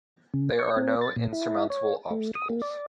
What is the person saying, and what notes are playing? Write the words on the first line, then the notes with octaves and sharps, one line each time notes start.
There are no insurmountable obstacles.
C#3
C#6
C4
A6
A#2
E4
C#5
A3
D#6
A#3
D5